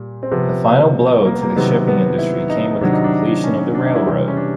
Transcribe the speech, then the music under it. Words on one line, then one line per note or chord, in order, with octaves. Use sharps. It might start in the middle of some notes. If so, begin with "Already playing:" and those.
The final blow to the shipping industry came with the completion of the railroad.
Already playing: A#2 G3
C4
C3 F3 B3
A#3
B3
A#3
C3 D#3 F#3 B3
B3
E4
D#4
C3 D#3 F#3 D4
D#4
D4
C#4
D4
D#4
E4
C3 E3 G3 C4
C#4
D4